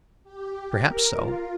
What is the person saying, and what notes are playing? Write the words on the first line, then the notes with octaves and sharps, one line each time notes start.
Perhaps so.
G4
A#4
F4